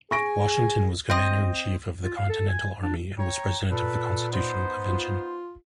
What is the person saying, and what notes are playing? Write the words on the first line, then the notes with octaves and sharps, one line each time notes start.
Washington was Commander-in-Chief of the Continental Army and was President of the Constitutional Convention.
G#4 G#5 C#6 A#6 D7
C4 D#5
F4
F5
A4
G#5
D4
C#5 G5 A#5
A#2 A4 B4
B3 D#4 C5
F4